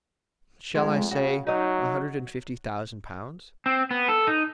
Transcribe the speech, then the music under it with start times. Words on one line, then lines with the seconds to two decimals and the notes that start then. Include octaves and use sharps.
"Shall I say a hundred and fifty thousand pounds?"
0.75 F2 G#3
1.11 C#3 F#4
1.47 F#3 D#4 D#5
3.66 C4
3.91 B3
4.08 A4
4.27 D#4